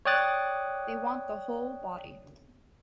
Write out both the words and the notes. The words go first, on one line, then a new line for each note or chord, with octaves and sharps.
They want the whole body.
C#5 D5 G5 D#6 F#6 A6